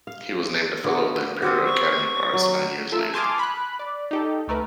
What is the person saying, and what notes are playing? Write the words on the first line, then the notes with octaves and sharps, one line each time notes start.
He was named a fellow of the Imperial Academy of Arts nine years later.
F5
D3 A#3 B3 F#4
B3 C4 F#4 G4 F#5
C#6
F#3
F4 A4 A#4 E5
G#5 A5 C6 D6 D#6 F6
B5 F#6
D5
D#4 G4 A4
C#2 A3 A#4 B4